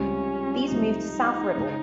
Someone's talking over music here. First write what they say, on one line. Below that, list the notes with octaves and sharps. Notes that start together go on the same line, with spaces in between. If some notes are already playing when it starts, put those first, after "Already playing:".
These move to South Ribble.
Already playing: C#2 C3 G3 C#4
C#2 C3 G3 D#4
C#3 G#3 C#4